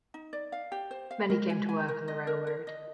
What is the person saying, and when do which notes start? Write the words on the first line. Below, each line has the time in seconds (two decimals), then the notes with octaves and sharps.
Many came to work on the railroad.
0.14 D#4
0.33 D5
0.52 F5
0.72 G4
0.91 C5
1.11 F5
1.30 G#3 A#4
1.50 G#5
1.69 G#5
1.88 A#4
2.08 D#5
2.27 A#4
2.47 A#4
2.67 D#5